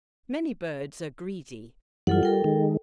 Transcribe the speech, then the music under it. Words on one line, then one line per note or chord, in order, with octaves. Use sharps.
Many birds are greedy.
F#2 E3 G3 F4 A4 F#5
G3 A4 A#4 G5
D#3 G#3